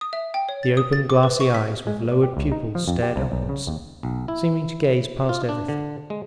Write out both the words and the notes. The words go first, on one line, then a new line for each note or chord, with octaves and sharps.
The open glassy eyes with lowered pupils stared upwards, seeming to gaze past everything.
D#6
E5
G5
C#5
A6
D#6
A6
D6
B4
C#6
B6
G#3
D5
G4
C#2
D#4
F3
F2
G4
C2
B1
C#3
D#2
B1
E4
F4
D4
D3
G#3